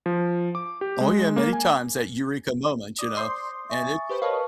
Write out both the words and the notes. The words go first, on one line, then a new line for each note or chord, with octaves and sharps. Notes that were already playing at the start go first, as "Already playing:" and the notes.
Oh, yeah, many times, that eureka moment, you know, and it's
F3
D6
G4
G#3
A#3
G#5
D5 D6 D#6
C5 C6 G6
E5 G#5 C#6 A6
G4 B4 C5
A#4 B4 C#5 D#5 F5 A5